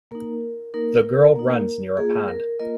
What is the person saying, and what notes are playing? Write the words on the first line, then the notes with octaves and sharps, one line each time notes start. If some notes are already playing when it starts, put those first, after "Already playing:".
The girl runs near a pond.
A#3 D#4 A#4
A#3 D#4 A#4
A#3 D#4
A#3 F4 G#4
A#4
A#3 F4 A#4 D#5